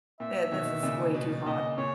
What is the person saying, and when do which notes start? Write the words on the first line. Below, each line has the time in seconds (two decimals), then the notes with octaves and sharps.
eh, this is way too hot."
0.20 A#2 E5
0.52 B2 D#3
0.83 A#2 C#3
1.15 B2
1.46 A#2 C#3 D#5
1.77 A#2 C#3 C#5